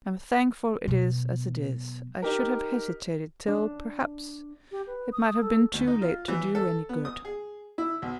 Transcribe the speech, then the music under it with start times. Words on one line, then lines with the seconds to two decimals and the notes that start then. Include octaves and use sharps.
I'm thankful it is as it is; I should have hesitated till, perhaps, it might have been too late to do any good.
0.88 B2 F#3
2.22 D#4 G4 A#4
3.48 D4
4.71 G4
4.87 B4
5.12 D#6
5.41 A4
5.73 D2
5.87 D#4
6.01 F4
6.28 E3
6.55 A4
6.89 B3
7.05 D#6
7.25 G#4
7.78 E4
8.02 B1